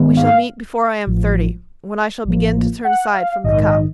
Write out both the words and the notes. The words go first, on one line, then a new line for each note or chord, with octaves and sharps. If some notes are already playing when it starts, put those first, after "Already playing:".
We shall meet before I am thirty, when I shall begin to turn aside from the cup.
Already playing: G#2 D#3 G#3 B3
F5
A1 A2 F3
A1 A2 F3 A#3
F#5
F5
A#1 G#2 D#3 D#5
D#5